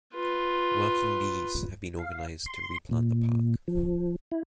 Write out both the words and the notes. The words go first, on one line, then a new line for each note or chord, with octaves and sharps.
Working bees have been organised to replant the park.
F4 B4
F5
C6
A#2
F3
E4